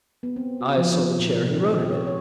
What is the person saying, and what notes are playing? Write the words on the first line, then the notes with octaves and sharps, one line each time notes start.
I saw the chair he wrote it in.
B3
C4
F#4
F3
D#4
C4
A#2
C3
C4
D#3
C#5
C#5